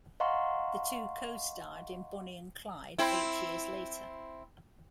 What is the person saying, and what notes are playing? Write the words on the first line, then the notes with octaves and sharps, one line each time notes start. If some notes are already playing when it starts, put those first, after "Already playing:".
The two co-starred in "Bonnie and Clyde" eight years later.
D#5 F5 F#5 A#5 C6 C#6
C4 E4